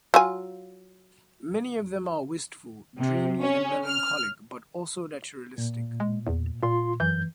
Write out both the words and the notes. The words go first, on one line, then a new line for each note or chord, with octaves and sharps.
Many of them are wistful, dreamy and melancholic but also naturalistic.
F#3 F4 G#5
C3
C#4
F6
A#2
G#3
E2
A#2 F4 C6
F#2 E3 G6